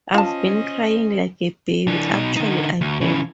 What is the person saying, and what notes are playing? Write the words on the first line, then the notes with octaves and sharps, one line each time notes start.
I’ve been crying like a baby, actually I have.
C#4 F4 C5 D#5 A5
E3 D4
B2 D#4
D3 D#4
D2
C#3 E3